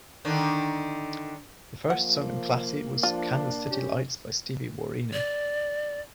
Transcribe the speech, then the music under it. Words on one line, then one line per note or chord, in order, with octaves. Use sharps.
The first song on "Classy" was "Kansas City Lights" by Steve Wariner.
D3 D#3 D4
F3 A#3 F#5
F3 D4 F4
C#4 G4
D5